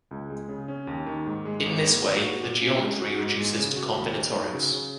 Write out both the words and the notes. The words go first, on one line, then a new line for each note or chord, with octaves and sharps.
In this way the geometry reduces to combinatorics.
C#2
G#3
C#3
C#4
D#2
D#3
G#2
G#3
G#1
A#3
F#3
F#4
A#2
C#4
G#3
F#4
G#2
G#3
C#3
F#4
D#2
D#4
F#3
C#3
C#3